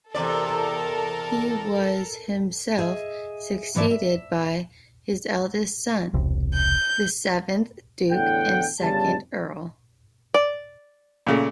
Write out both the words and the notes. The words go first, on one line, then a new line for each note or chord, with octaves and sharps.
He was himself succeeded by his eldest son, the seventh Duke and second Earl.
E2 C3 A4 A#4 D5
G#4 D#5 E5
G#2 E3 C#5 D5 E5 A5
E5
E1 C2
G6
E2 A2 D3 F#5 G5
G1 C#3 G3 A5
D5
A#2 C#3 A3